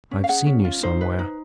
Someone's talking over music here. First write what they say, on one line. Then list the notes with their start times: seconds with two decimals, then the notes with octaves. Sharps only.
"I have seen you somewhere."
0.11 C#4
0.24 F5
0.29 G#4 F#5
0.46 C#4
0.65 F4
0.83 D#4 C5
1.01 B4
1.19 D#4